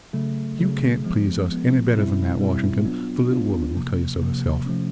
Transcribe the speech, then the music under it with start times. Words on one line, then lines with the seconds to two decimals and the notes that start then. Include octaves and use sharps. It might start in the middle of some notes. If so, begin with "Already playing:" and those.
You can't please us any better than that, Washington; the little woman will tell you so herself.
0.13 C#3 F#3 A3
0.58 C#3 F#3 A3
1.04 F3 G#3 B3
1.50 F3 G#3 B3
1.95 B2 G3 C4 E4
2.40 B2 G3 C4 E4
2.85 F#3 B3 D4 F4
3.30 F#3 B3 D4 F4
3.76 C3 F3 A#3
4.21 C3 F3 A#3
4.66 C3 F3 A3 C#4